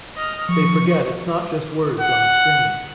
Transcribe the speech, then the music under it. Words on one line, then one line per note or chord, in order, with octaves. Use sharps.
They forget it's not just words on a screen.
D#5 F6
F3 C#6
F#5